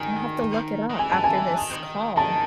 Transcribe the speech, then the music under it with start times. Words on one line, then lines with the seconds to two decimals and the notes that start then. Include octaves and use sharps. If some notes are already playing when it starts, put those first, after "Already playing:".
I have to look it up after this call.
Already playing: D#3 G#5
0.90 D#3
0.98 E3 G#5
1.12 A5
1.24 G#5
1.58 D#3
2.16 D#3 A5